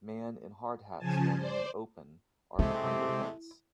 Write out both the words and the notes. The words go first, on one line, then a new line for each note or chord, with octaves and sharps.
Man in hard hat standing in open are behind a fence.
C#3 F3 G#5 A5
C5 D5
C3 G#3 A3 C4 E4 G4